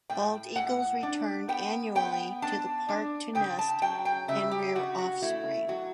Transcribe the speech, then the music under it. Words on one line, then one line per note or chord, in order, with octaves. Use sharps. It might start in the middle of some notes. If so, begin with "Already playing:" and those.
Bald eagles return annually to the park to nest and rear offspring.
A2 G5
A2 F#5
D4
B3 G5
B3 G5
D4 A5
D4
C#3 G5
A5
F#3 G5
G5
C#3 E5
G4
C#3 F#4
F#4
A3 E4
F#3 F#4